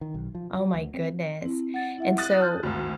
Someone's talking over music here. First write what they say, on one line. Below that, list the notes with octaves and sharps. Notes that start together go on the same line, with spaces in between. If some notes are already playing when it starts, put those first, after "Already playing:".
oh my goodness, and so
D#3
B1
F3
F#3
D2
C4
C4 E4
F#5 A6
E4 E5 F#5
D#6 F#6 A6
A5 F6 G6
G#1 D2